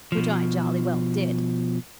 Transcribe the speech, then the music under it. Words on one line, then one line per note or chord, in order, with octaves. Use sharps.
Which I jolly well did.
B2 F3